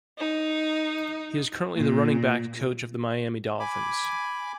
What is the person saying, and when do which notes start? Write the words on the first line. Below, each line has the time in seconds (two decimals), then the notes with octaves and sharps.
He is currently the running backs coach of the Miami Dolphins.
0.17 D#4
1.76 A#2
3.59 G#5 B5 D6